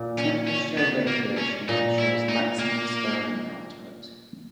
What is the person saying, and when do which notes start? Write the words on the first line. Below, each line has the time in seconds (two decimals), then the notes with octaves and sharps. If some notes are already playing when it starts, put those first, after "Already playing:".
Temperature regulation ensures maximum sperm output.
Already playing: A#2
0.18 C#4
0.47 C#4
0.78 B3
1.07 A#3
1.38 C#4
1.68 A#2 D#4
1.99 E4
2.29 D#4
2.59 A#3